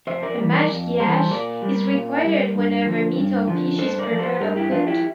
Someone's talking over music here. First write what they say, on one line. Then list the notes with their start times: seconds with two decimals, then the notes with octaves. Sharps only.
A mashgiach is required whenever meat or fish is prepared or cooked.
0.07 F2 C5 E5
0.23 A#4 D5
0.38 E3 G3
0.53 A#4 D5
0.69 F2
1.00 E3 G3 A4 C5
1.31 A#2 A#4 D5
1.62 G3
1.93 A#2
2.24 G3
2.55 G2
2.85 D3 F3
3.16 G2
3.48 D3 F3
3.78 G2 A4 C5
3.99 A#4 D5
4.10 F3
4.19 A4 C5
4.41 G2 G4 A#4
4.56 E4 G4
4.71 F3 D4 F4
4.87 E4 G4